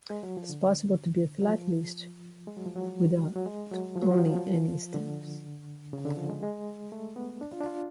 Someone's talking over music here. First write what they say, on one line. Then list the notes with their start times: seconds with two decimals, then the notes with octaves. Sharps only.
It is possible to be a philatelist without owning any stamps.
0.10 G#3
0.23 F#3
0.37 F3
0.50 D3
1.41 F#3
1.48 F3
2.47 G#3
2.57 F#3
2.66 F3
2.76 F#3
3.36 F#3
3.46 G#3
3.71 F#3
3.96 F3
4.02 F#3
4.11 F3
4.94 D3
5.93 C#3
6.05 D3
6.17 F3
6.29 G#3
6.43 G#3
6.92 A3
7.16 B3
7.41 D4
7.53 F4
7.61 D4
7.66 F4